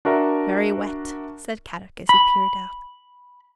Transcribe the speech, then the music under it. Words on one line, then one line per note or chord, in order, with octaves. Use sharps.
"Very wet," said Kadok as he peered out.
D4 F#4 A#4 E5 A#5
B5